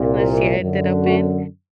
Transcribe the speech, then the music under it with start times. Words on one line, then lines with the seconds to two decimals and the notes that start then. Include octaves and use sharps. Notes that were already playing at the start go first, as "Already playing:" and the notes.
that she ended up in
Already playing: C2 A#2
0.60 F#2 D3
1.03 F#4